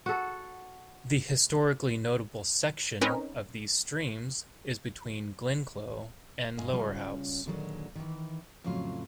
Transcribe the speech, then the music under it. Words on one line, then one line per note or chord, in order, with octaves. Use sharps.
The historically notable section of these streams is between Ginclough and Lowerhouse.
F#4 A4
C4 C#4 D#4 A#4 B4
G2 D#5 F5 G#5
C#3 G3 C#4 F4
A#2 D3 D#3 F#3 G#3
D#3 E3
F2 A2 C#3 F#3 F4